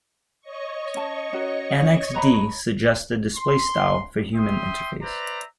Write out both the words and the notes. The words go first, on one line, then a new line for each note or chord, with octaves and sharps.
Annex D suggests a display style for human interface.
C#5 D#5 C#6
C#4 A5
C#4 F#4 A#4
B4 A#5 B5
C6
E5 G5 C6 D#6
B4 C5 D5 E5 A#5